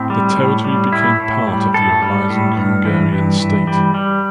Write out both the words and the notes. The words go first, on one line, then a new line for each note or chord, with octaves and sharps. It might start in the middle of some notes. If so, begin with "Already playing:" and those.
The territory became part of the arising Hungarian state.
Already playing: A2 C4
G3
A2
G3
A2 E4
A2
G3
A2 A4
G3
A2
G2
E3
G2
E3
G3
G3